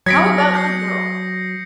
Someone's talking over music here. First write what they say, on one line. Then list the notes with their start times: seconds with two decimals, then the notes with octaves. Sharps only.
How about the girl?
0.06 F#3 D#6 G#6 A#6 B6 C#7 D7
0.54 G6 A#6 C7